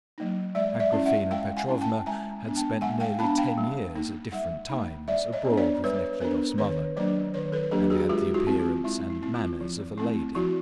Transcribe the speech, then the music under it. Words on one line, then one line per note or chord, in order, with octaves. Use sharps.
Agraphena Petrovna had spent nearly ten years, at different times, abroad with Nekhludoff's mother, and had the appearance and manners of a lady.
F#3 A#3 D#4
G#3 D5 E5
D5 E5
C#4 E4
E5 F#5
G#3 F5 G5
F#5 G#5
C#4 E4
G5 A5
G#3 G#5 A#5
B3 D4
G5 A5
G#3 F#5 G#5
F5 G5
B3 D4 A5 B5
F5 G5
G3
A#3 D#4
G3 E5 F#5
A#3 D#4
G3 D5 E5
C#5 D#5
B3
D4
C5 D5
G3 B4 C#5
B3 D4 A#4 C5
D#3 B4 C#5
F#3 A#3 D4 C5 D5
D#3 B4 C#5
A4 B4
F#3 A#3 D4 G4 A4
F#4 G#4
G#3 F4 G4
E4 F#4
C4 E4
F4
G#3 E4
E4
C4 E4
F4
F3
A3 C4 E4
F3 E4 F#4